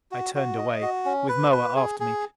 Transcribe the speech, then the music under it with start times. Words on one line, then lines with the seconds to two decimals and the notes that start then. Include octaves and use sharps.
I turned away, with Moa after me.
0.11 F#4
0.35 F#4
0.58 D#5
0.82 F#4
1.05 C#4
1.29 B4
1.52 B4
1.76 G#4
2.00 G#4